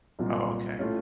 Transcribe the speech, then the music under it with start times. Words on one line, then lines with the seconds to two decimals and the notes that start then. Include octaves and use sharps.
Oh, okay.
0.19 C2 A#2 F#3 A#3 F4
0.79 A2 A3 C#4 F4